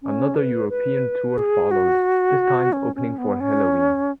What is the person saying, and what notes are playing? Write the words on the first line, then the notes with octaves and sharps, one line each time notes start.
Another European tour followed, this time opening for Helloween.
C#4
B4
B4
G#4
F#4
C#4
C#4
B3
C#4